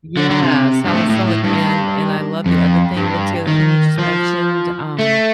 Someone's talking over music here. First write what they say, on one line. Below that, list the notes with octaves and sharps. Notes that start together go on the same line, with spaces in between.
Yeah, salicylic, and and I love the other thing. What's the other thing you just mentioned, um
D3
D3
C3
G2
A2
A2
A2
G2
F2
G2
D#3
F3
A3